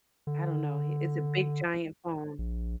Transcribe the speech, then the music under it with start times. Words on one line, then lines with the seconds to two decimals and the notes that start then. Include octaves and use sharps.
I don't know h it's a big giant phone.
0.27 D3
2.39 A#1